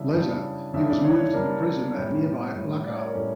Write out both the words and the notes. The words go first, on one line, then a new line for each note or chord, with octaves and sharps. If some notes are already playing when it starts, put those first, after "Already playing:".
Later he was moved to the prison at nearby Luckau.
Already playing: C#3 E3 G3 D4 E5
C#3 E3 G3 D4
C#3 E3 G3 D4 E5
D5
C#5
C#5
C#3 E3 G3 D4 A#4
A2 G3 C#4
A2 G3 C#4
D5
C#5
A#4
A2 G3 C#4 A4